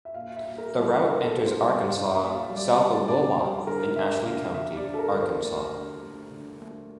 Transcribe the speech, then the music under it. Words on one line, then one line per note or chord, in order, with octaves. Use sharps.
The route enters Arkansas south of Wilmot in Ashley County, Arkansas.
E5
A#2 F5
E5
A#2
A#4
G3
A4
D4 A#4
A4
D4
C5
G3
D5
D4 F5
A#2
E5
F5
G3
D5
G3 A5
D4 D5
G3 C5
D3 A#4
D3 E5
E5
D3 F5
D3 E5
D5
D3
A4
A#4
D3
C5
A3 D5
D3
A3
D3
A3